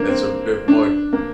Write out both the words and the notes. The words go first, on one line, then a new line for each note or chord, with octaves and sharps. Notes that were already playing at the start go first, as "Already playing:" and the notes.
that's a bit much,
Already playing: A#3 D4
C4
D4
A#3